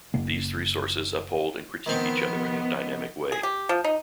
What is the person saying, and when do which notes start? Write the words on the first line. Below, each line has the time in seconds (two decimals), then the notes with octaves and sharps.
These three sources uphold and critique each other in a dynamic way.
0.14 F#1 C#3 A#3
1.86 D#3 F3 B3 C4 C5
3.32 G#4
3.43 G4
3.69 F3
3.84 D#4